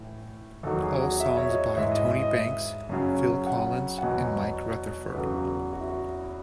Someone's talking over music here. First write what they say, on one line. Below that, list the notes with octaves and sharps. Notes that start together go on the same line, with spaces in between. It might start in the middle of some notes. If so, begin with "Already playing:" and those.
All songs by Tony Banks, Phil Collins, and Mike Rutherford.
Already playing: A2 E3
E2 D#3 F#3 A4
G#4
F#4
E5
C#5
D#5
G#2 E3 E5
D#5
E5
D#5
E5
F#2 C#3 F#3
F#5
F#5
E2 B2 F#3 G#5
B4
E2 C#3 F#3 A4
F#4
F#4
E4
F#4